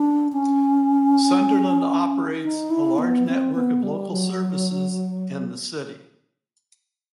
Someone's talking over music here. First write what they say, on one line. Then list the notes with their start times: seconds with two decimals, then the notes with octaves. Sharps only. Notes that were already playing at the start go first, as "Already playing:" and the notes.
Sunderland operates a large network of local services in the city.
Already playing: D4
0.33 C#4
2.43 D#4
2.70 E4
2.98 B3
3.27 C4
3.55 B3
3.83 G3
4.12 F#3